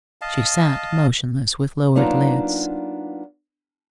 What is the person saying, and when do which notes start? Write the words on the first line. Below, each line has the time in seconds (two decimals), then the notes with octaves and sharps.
She sat motionless, with lowered lids.
0.21 D#5 F5 A5
1.95 F#3 A#3 B3 D4 D#4 F4